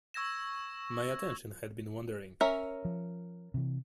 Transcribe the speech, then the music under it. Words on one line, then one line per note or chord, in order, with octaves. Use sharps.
My attention had been wandering.
C#6 E6 G#6 A#6 E7
C#4 A#4 E5
F3
C3 E3